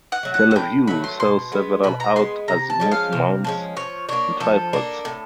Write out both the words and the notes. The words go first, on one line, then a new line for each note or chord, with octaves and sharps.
Tele Vue sells several alt-azimuth mounts and tripods.
F#5
F#3 A3
F#5
F#5
A2 G5
F#3 A3 B5
C6
B2 C6
G#3 B3
B2 B5
A#5
G#3 B3 C6
C3 A#5
A5
F3 G#3 C#4
F5
C3
F3 G#3 C#4
F3 C#5
A#3 D4 C#5
F3 A4
A#3 D4
A2